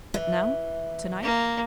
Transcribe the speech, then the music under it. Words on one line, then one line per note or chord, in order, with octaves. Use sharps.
"But now--tonight?"
E3
A#3